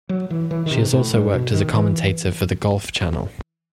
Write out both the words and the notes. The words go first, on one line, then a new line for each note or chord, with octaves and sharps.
She has also worked as a commentator for the Golf Channel.
F#3
E3
E3
D#3
C3
A2
G2
B2
D#3
E3